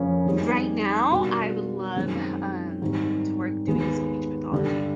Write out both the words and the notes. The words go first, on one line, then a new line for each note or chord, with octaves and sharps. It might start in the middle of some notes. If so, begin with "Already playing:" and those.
Right now, I would love, um, to work doing speech pathology.
Already playing: F2 C#3 F3 A#3 C#4
D#3 G3 C4 D#4 G#4
B2 G3 A#3 D4 F#4
F#2 D#3 G#3 C4
G#2 D#3 G3 C4
D#2 D#3 G#3 B3
G2 D3 G3